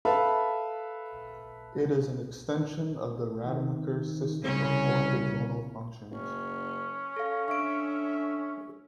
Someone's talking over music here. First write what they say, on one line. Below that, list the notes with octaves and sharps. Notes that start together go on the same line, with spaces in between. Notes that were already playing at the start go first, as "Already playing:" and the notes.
It is an extension of the Rademacher system of orthogonal functions.
A4 B4 E5 F5 A5 B5
D#3
C2 C#3 C#4
F#1 C#4
A4 F5
D3 E5 C#6 D7